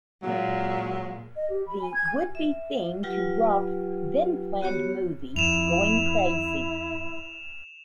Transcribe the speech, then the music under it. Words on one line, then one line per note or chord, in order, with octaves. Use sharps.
The would-be theme to Roth's then-planned movie, Goin' Crazy!
A#2 F#3 G#3
D#5
G4
B5
G#5
G#6
G#5
E5
F#3 F4 G4 B4 G5
B3 F#4 G4 C#5
F2 E4 E7 F7